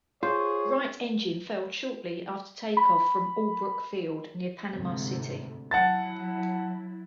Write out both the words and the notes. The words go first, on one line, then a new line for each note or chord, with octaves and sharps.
The right engine failed shortly after take-off from Albrook Field, near Panama City.
F4 G#4 C5 C#5
B5
D2 G#2 C3
F#3 E4 F#5 A5 A6